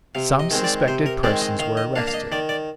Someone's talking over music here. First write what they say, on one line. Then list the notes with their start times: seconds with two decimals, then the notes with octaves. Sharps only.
Some suspected persons were arrested.
0.15 C3 F5
0.39 D#5
0.51 D#3 G#3 C4
0.64 D5
0.88 C3 C5
1.06 A#4
1.23 D#3 G#3 C4 D5
1.41 D#5
1.59 D#3 F5
1.77 D#5
1.96 A#3 D4 F5
2.07 F5
2.14 D#5
2.32 D#3 D5
2.49 D5